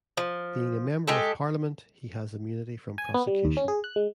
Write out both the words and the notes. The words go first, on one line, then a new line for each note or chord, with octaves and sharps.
Being a member of Parliament, he has immunity from prosecution.
F3
G#3 G4 A4
G#5
B3
G3
D#2
C#4
G#4
F#6
G#3